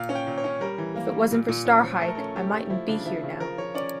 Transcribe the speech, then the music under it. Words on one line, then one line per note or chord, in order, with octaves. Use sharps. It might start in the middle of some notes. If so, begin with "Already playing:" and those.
If it wasn't for Starhyke, I mightn't be here now.
Already playing: A#2 F5
C#4
G5
A#2
C#5
C#4
G3 A#4
E3
A#3
G3
A#2
A#2
C#4
F3
A3 A4
A#4
C#4 A4
A3 G4
A3
F3 E4
C#3 D4
F3 E4
C#3
F3 A#4
F3 C#5
C#4 D5